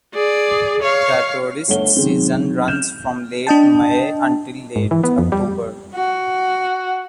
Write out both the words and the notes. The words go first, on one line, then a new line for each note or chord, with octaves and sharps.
The tourist season runs from late May until late October.
G#4 D5
C#5 F5
G1 A3 C#5 F#5 G7
C3 D#3 F#3 G#3 C4
F6 G6 E7
D4 D#5 G5 A5
G#2
E3
B3
F2
G3
F#4